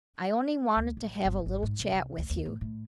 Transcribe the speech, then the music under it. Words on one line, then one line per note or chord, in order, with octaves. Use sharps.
I only wanted to have a little chat with you.
D2
A1
G1
G#1
G#2
C2
C2
D2
D#2
A2
A2